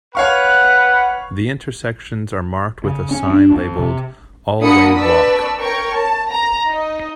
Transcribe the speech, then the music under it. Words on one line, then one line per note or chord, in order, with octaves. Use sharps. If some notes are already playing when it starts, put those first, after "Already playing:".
The intersections are marked with a sign labeled All Way Walk.
B4 C#5 F5 F#5 C#6
C#3
C#4
D4
F2
C3
A#3 D4 F#4 B5 D#6 C#7
B4 D5 A5 C#6 E6 B6
A#4 C#5 G5 C#6
A5
A#5
D#4 D#5